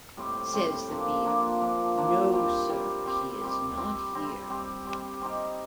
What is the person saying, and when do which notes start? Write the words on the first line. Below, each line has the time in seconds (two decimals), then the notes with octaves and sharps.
Says the beadle, "no, sir, he is not here."
0.17 A2 G3 C4 G4
0.53 A2 G3 C4 G4
0.89 F3 A#3 D4
1.25 F3 A#3 D4
1.62 F3 A#3 D4
1.97 F3 A#3 D4
2.33 G3 C4 G4
2.70 G3 C4 G4
3.05 G3 C4 G4
3.41 G3 C4 G4
3.77 G3 C4 G4
4.13 G3 C4 G4
4.50 G3 C4 G4
4.85 G3 C4 G4
5.21 G3 C4 D#4 G4